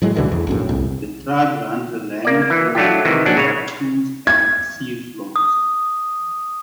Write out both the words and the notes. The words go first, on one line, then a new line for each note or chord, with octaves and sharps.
The tribe runs a language program to revive Coos and Siuslaw.
A2 F#3 G#3
C#2 B2 D3 E3
E2
A#1 F#2 A2
C2
A#3 D5
E3
F#3 A3 D4 F4 G4
C3 D#3 E3
A#1 F#3 D4
C#3 C#5
G#6
D#6